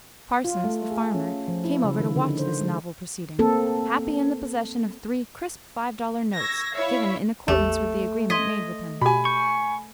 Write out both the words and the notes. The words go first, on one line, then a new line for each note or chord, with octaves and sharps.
Parsons, the farmer, came over to watch this novel proceeding, happy in the possession of three crisp five-dollar notes given in accordance with the agreement made with him.
F4
A3
G#4
C#4
F3
E4
C#3
D#3
D3
C5
G#3
A#3 C4 A4
C#6 E6 G#6 A#6
E4 C#5 E5 F5
A1 E2 A3 G4
D#5 C6 G#6 B6
B2 G4 G#5 B5
C#6 G6